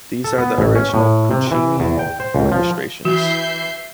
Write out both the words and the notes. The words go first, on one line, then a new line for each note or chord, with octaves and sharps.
These are the original Puccini orchestrations.
A4
B3
A1
C#4
A2
C3
E3
E2
G5
C5
C#2
F3
E3 F#4 E5 G6 C7